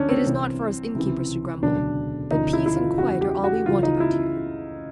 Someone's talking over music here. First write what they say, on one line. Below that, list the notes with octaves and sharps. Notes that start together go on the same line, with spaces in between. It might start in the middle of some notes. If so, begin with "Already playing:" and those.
It is not for us innkeepers to grumble, but peace and quiet are all we want, about here.
Already playing: D2 D3 F3 C#4 D4
C4
C2 C3 E3
C#2 C3 E3
E1 D2 C#3 F#3 D4
E1 D2 C#3 F3 D#4
E4
E4
F4
E2 C#3 E3 F#4
G4
F#4
C#2 C#3 E3 F4
D#4
E4